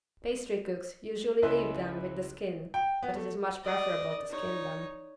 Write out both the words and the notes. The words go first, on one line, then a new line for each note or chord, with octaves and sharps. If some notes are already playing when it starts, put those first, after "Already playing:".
Pastry cooks usually leave them with the skin but it is much preferable to skin them.
C#2 E4 B4 D#5 E5 C6
G5
B3
A3
D5 D#5
D#4 C#5